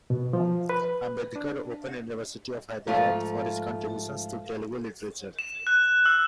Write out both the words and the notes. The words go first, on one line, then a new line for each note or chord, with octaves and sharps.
Ambedkar Open University of Hyderabad, for his contributions to Telugu literature.
B2
F3
B4
D4
G#2 F3 A3 F4
E7
F#6
E6